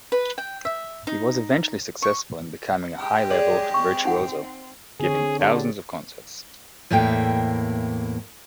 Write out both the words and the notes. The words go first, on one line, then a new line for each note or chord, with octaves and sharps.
He was eventually successful in becoming a high-level virtuoso, giving thousands of concerts.
B4
G5
E5
D#4
C#6
G#3 G4 G5
G#4 C#5 D5
C4 C#6
D#4 F#5
D3 C4 G#4 C#5
D3 G4 G#4 D5
E2 A2 A#3 E5 G5